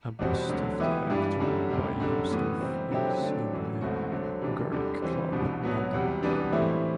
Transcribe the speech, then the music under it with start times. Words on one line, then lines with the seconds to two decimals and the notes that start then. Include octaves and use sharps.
A bust of the actor by himself is in the Garrick Club, London.
0.19 E2 B2 G3 C4 F#4
0.49 D2 D3 F#3
0.80 E3 B3 E4 G4
1.10 G2 E3 G3 D4
1.40 F#2 D3 G3
1.70 D2 C3 G3
2.00 F#2 D3 G3
2.31 A2 E3 B3
2.61 C3 G3 C4
2.91 D3 F#3 C4 E4 G4
3.21 D3 F#3 A3 D4
3.51 F#2 E3 A3
3.81 C2 B2 A3 C4 F#4
4.11 D3 F#3 C4
4.41 C3 E3 G3 D4
4.72 E2 D3 G3
5.02 E3 G3 C4
5.32 C2 B2 G3 D4
5.63 B2 F#3 B3 F#4
5.93 E2 C3 G3
6.23 E3 G3 B3 D4
6.52 A2 E3 G3 C4 E4